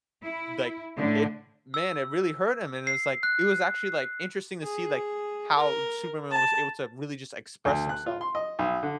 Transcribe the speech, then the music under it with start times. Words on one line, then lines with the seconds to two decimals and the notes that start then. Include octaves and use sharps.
like, it Man, it really hurt him, and it was like it was actually, like, interesting to see, like, how Superman was able to really just express himself
0.23 E4
0.97 A2 D3
1.74 E6
2.87 C7
3.23 F#6
4.64 G#4
5.56 A#4
6.31 A5
7.65 D2
7.89 F#6
8.06 F4
8.21 C6
8.35 D#5
8.59 B1
8.83 D3